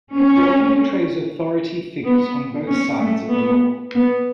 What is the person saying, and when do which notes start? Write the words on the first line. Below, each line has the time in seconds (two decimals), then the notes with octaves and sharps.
He often portrays authority figures on both sides of the law.
0.15 C#4
2.05 B3
2.68 C#4
3.00 A3
3.31 B3
3.95 B3